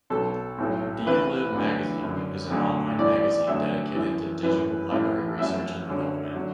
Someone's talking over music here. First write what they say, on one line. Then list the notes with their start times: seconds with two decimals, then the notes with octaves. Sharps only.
D-Lib Magazine is an on-line magazine dedicated to digital library research and development.
0.10 B1 B2 F#3 A4
0.58 B1 A2 F#3
1.06 A1 A2 E3 B4
1.55 D2 D3 F#3
2.03 F#2 D3 F#3
2.50 D2 D3 F#3
2.99 B1 A2 E3 D5
3.15 D5
3.31 D5
3.47 D2 D3 F#3 E5
3.95 F#2 E3
4.43 F#2 E3 B4
4.91 A1 A2 E3
5.39 F#2 F#3 E5
5.87 F#2 D3 F#3
6.35 D3 F#3